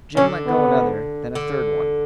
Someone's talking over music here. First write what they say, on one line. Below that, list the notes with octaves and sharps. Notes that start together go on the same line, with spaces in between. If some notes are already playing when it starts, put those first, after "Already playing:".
Jim let go another, then a third one.
D3 C#4
B3
D3